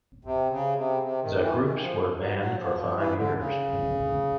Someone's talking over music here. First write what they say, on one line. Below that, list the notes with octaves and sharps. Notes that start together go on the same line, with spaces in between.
The groups were banned for five years.
C3
C#3
C3
C3
D#3
E3
D#3
F3
F#3
F#3
F3
F#3
F3
E3
D3
C#3